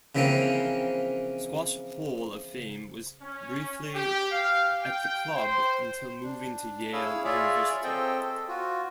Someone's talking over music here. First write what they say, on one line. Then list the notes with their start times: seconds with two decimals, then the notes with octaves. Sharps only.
Squash Hall of Fame was briefly at the club until moving to Yale University.
0.15 C#3 E3 F3 A#3 C4 C#4
3.22 C#4
3.95 G4
4.31 F5
4.83 G5
5.35 C5
6.23 D4
6.93 E4 G#4 C#5 F5 E6
7.25 F4 G#4 C#5 D5 E5
7.84 C4 A4 C5 D#5 G5
8.19 A4
8.48 F4 F#4